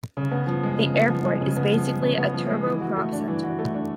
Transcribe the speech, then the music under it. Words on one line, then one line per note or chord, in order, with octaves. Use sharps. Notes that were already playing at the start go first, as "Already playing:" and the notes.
The airport is basically a turbo-prop centre.
C#3
B3
F3
G#3
C#3
B3
F3
G#3
C#3
B3
F3
G#3
C#3
B3
F3
G#3
E3
F#4
A3
D4
E3
F#4
A3
D4